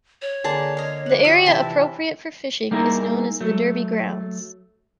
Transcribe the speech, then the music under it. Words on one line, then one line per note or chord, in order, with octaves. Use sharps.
The area appropriate for fishing is known as the derby grounds.
C#5
D3 A#3 G#4 C5 A5
D#5 F5
D4 F#5
F3 G4 E5
C3 E3 E4 E5 G5 A5
G3 A#3 D#4 E4 G#4 A#4
F#3 A3